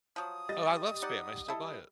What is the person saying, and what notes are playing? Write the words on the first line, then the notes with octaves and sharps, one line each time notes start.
Oh, I love Spam. I still buy it.
F3 F#3 D#6
G3 D#5 A6
D#4 D5 F#5
E4 A4